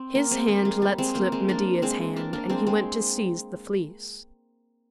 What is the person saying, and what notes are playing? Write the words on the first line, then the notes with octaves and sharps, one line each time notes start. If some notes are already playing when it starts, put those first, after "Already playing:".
His hand let slip Medea's hand and he went to seize the Fleece.
Already playing: C4
A#3
G#3 C4
A#3
G#3
G3
G#3 C4
A#3
G#3 C4
A#3 D4
G#3 C4
A#3 D4
A#3 D4
G#3 C4
G#3 C4